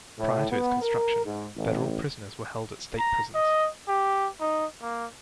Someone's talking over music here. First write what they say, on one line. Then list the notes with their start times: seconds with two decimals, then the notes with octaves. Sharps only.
Prior to its construction, federal prisoners were held at state prisons.
0.19 A2
0.51 B3
0.82 A#4
1.25 G#2
1.56 A1
2.99 A#5
3.35 D#5
3.88 G4
4.40 D#4
4.82 A#3